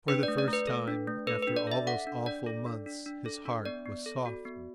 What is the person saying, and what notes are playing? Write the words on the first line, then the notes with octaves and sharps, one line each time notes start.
For the first time after all those awful months his heart was softened.
D4 B4
D5
A3
D5
A3 B4
A4
D4
A3
A4 B4
D4 B4
D5
A4 E5
A4 F#5
D4
D4 D5
A4
D4
D4
D4
A4
D4
B3 D5
B3
A4
F#4
B3